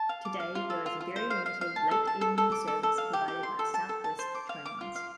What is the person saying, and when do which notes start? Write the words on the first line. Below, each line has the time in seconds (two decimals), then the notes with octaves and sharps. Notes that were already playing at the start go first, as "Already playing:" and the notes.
Today there is a very limited late evening service provided by South West Trains.
Already playing: A5
0.09 F5
0.25 D6
0.40 F5
0.55 F4
0.70 A4
0.86 F4
1.00 F4
1.16 C5
1.30 F5
1.46 F5
1.61 F5
1.76 A5
1.91 A4
2.07 A5
2.21 A4
2.38 A4
2.52 D6
2.68 A4
2.83 A4
2.98 F5
3.13 G4
3.28 G4
3.43 C6
3.59 A4
3.74 A5
3.89 A4
4.04 A5
4.19 C5
4.35 D6
4.49 F5
4.65 D6
4.81 F4
4.95 F5